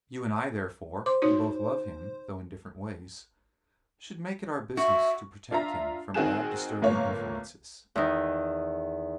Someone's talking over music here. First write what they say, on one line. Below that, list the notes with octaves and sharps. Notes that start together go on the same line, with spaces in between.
You and I, therefore, who both love him, though in different ways, should make it our business to protect him from all disturbing influences.
C5 D6
D#4 F#4 C#5
F#4 E5
D4 F4 E5 A#5
D#3 C4 F#4 G#4 G#5 E7
G1 A2 A#3 F4 C#5
E2 D#3